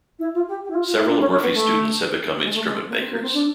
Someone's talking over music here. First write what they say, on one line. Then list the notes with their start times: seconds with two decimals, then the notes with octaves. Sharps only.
Several of Murphy's students have become instrument makers.
0.19 E4
0.34 F4
0.48 G4
0.64 G4
0.70 E4
0.74 F4
0.86 F4
0.97 E4
1.08 D4
1.20 C#4
1.31 C#4
1.42 B3
1.54 A3
2.43 G#3
2.54 A3
2.66 G#3
2.89 A#3
3.00 C4
3.11 A#3
3.22 C4
3.33 D4